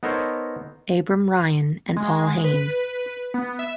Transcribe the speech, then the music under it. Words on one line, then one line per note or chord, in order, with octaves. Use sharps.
Abram Ryan, and Paul Hayne.
B3 D#4 A4 A#4 C5 C#5
G#3
B4
B3
E5